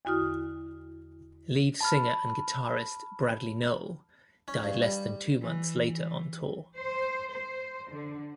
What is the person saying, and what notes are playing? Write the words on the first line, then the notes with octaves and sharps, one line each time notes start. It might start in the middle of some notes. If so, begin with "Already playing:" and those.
Lead singer and guitarist Bradley Nowell died less than two months later on tour.
E2 D3 E4 F#4 D#6 F6
A5 B5 F6
C#4
G2
G3
E3
E3
C5
C5
D3